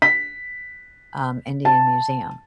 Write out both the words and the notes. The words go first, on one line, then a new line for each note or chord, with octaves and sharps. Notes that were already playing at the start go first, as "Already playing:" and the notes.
um, Indian Museum.
B6
A5